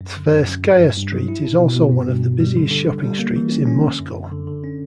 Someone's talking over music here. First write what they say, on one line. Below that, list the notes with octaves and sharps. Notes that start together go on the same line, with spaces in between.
Tverskaya Street is also one of the busiest shopping streets in Moscow.
F#2
D3
F#2
F#2
G2
G2
G2
F#3
E4
B2
B2
B2
G2
G2
G2
G3
D3
D3
D3
G3
A#3
E3
C#4
C#4
D3
F#2
F#2
D3
D3
C#4